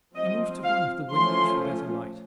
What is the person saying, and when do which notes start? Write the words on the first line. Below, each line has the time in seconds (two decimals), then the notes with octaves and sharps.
He moved to one of the windows for better light.
0.15 F3 C4 D#5
0.63 F5
1.12 F3 A3 C#4 C6